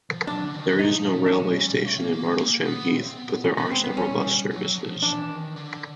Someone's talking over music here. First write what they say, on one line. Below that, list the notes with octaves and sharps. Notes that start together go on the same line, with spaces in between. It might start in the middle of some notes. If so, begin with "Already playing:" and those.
There is no railway station in Martlesham Heath, but there are several bus services.
F3
F#3 D4
D3
D#3
F3
D#4
D4
F#3 C#4
G3
A3
A#3
A#3
G#3
A#3
B3
C4
C4
B3
C#4
A3 B3
G#3 C4
G3 B3
C#4
F#3
F3
E3 D4
D#3
D3